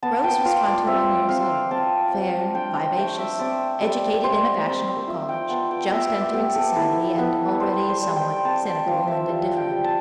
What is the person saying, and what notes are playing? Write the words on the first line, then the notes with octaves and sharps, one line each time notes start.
Rose was twenty-one years old, fair, vivacious, educated in a fashionable college, just entering society and already somewhat cynical and indifferent.
B3 A5
G5
F4 F5
D5
C4 E5
C4 F5
C4 A5
C4
D4 G5
G5
A3 G5
E5
C4 D5
G3
G3 C5
C4
F4 E5
G5
B3 A5
G5
B3 E5
D5
B3 G4
A4
E4 A4
B3 B4
G3 C5
C5
G3
G5
C4 A5
G5
F3 F5
E5
G3 F5
G5
G3
A5